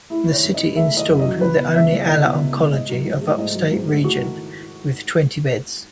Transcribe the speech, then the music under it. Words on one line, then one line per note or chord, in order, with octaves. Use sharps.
The city installed the only Ala Oncology of upstate region, with twenty beds.
A3 E4
D#3 C#5
F#2
D#5
F#3
A3 E5
D#3 D#5
F#2
D#5
F#3
C#2 B4
B2
C#2 E5
G#3
C#2 D#5
B2
C#2
G#3
G#2 D#5
F#3
G#2
A3
G#2 D#5
F#3
G#2
A3
A3 F#4
D#3